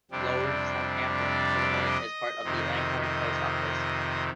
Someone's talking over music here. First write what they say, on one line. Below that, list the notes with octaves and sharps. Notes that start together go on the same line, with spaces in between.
Lower Southampton to the north is part of the Langhorne Post Office.
F2 C3 G3 D4
D5
D#5
F2 C3 D#3
D#5